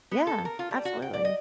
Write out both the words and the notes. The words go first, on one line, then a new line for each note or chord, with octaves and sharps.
Yeah, absolutely.
B3
A4
A#4
F4
G3
F#4
G5
D5
D#5